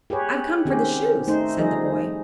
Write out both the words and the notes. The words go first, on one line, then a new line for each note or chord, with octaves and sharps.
"I've come for the shoes," said the boy.
G4 G#4 B4 C#5
D#3 C4 C#4 G4 G#4
A3 D#4 C5
F3 G3 D#4 G#4 D#5